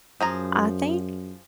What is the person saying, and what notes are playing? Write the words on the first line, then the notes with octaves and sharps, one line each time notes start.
I think
F#2 F3 G#4 A#5